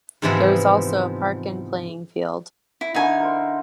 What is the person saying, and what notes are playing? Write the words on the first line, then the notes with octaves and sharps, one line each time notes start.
There is also a park and playing field.
G#2 C3 E3 F3 G#3 B3
E4
D3 D#4 E4 G#5 C#6
A#4 C5